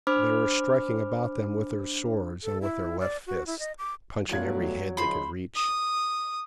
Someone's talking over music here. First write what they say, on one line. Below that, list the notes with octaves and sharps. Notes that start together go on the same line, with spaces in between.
They were striking about them with their swords and with their left fists, punching every head they could reach.
D4 C5 B5 D6 F6
A4
E4
D5
F#4
E4
D#5
D6
E2 B2 F#3 G3 A3 F4 F#6 G#6
C#2 F3 D#4 C5 B5
D#6